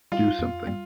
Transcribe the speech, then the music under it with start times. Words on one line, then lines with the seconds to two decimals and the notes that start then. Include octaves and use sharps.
Do something!
0.12 G3 F4
0.39 F2
0.67 G3